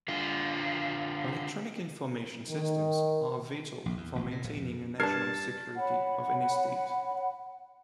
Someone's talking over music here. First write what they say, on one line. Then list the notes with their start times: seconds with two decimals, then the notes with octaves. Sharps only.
Electronic information systems are vital for maintaining a national security of any state.
0.08 D3 F4
2.49 D#3
3.86 A#1
3.97 E2
4.16 A1
4.31 A#2
4.44 D1
4.56 F2
5.00 G2 D4 A#4 A5 F6 G#6 C7
5.77 C#5 F#5 B5